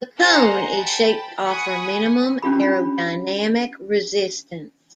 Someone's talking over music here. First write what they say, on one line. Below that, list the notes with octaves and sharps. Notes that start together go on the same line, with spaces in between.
The cone is shaped to offer minimum aerodynamic resistance.
G#4 C5 D#5 F#5 G#5 A#5
G5 A5 B5
F#5 G#5 B5 C#6 D#6
C#4 D4 F4 G4 B5